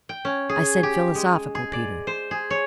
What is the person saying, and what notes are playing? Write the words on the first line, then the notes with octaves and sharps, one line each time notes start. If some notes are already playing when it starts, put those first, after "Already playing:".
"I said 'philosophical,' Peter."
G5
C#4
G#4
G4
G#3
G#4
D5
C5
G#4
C#5